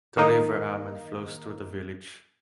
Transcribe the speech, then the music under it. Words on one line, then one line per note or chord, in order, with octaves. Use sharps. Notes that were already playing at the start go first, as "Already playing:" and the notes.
The River Amman flows through the village.
D#3 A#3 D#4